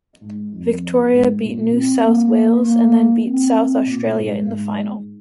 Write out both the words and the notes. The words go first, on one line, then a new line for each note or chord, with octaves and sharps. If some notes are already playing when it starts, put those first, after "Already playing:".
Victoria beat New South Wales and then beat South Australia in the final.
G#2
F2
G#2
A#2
C4
A#3
A#3
C4
C4
A#2
G#2
G#2